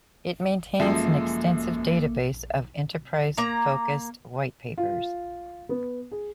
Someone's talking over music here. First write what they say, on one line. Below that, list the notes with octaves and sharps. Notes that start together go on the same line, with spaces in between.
It maintains an extensive database of enterprise-focused white papers.
F#2 F3 G#3 A#3 A4 E5
A#3 A#5
F4
B3
G#4